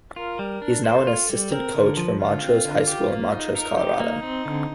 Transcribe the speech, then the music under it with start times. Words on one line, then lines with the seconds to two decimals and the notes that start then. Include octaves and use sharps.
He now is an assistant coach for Montrose High School in Montrose, Colorado.
0.16 F4 A#4
0.39 G3
0.62 D4
0.84 A4 C5
1.07 F4
1.29 G3
1.52 C4 A#4
1.74 D3
1.97 F3
2.19 D3 F4
2.42 C4
2.65 D3
2.87 G4
3.10 A#3
3.32 D#4
3.55 D#4 A#4
3.78 G4
4.00 A#3
4.23 C4
4.45 D3